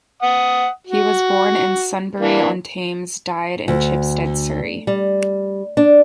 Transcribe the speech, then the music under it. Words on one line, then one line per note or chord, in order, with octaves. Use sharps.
He was born in Sunbury-on-Thames; died in Chipstead, Surrey.
F#5 D#6
F#4
E3 A#3 D4
D2
G3
D4